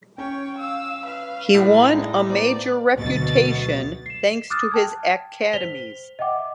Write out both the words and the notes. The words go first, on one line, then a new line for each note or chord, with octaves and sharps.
He won a major reputation thanks to his academies.
C#4 C#5 G5
F5 E6
B4 F5
A2
G#3 D#4 D5
B3 C5 D5
D2 B2 F#3 A6
C7 E7
D6 D#6 F6 F#6 A6
G5 A5 G#6
C5 B6 F7 G7
D#5 E5 F#5 G5 D6